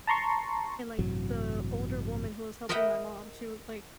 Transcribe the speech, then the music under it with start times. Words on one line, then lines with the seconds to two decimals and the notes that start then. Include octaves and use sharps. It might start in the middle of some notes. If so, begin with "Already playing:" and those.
And, like, the older woman who was helping my mom, she was like
0.07 A5 A#5 C6 C#6
0.99 A1 G2 C3 F#3
2.69 A#4 D#5 E5 F#5 G5 B5